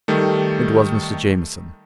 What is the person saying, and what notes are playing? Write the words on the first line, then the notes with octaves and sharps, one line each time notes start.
It was Mr. Jamieson.
D#3 G3 A3